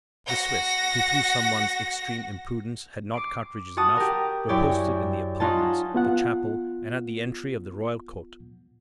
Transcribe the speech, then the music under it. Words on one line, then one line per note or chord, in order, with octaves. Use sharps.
The Swiss, who through some one's extreme imprudence had not cartridges enough, were posted in the apartments, the chapel, and at the entry of the Royal Court.
F#4 A#6
D6 C7 D7
F#4 F#5 A5 D#6
G4 A#4
F#2 E4 G4 C#5 D5 G5
C#4 D#4 F4 F#5 A5
B3 F4 F#5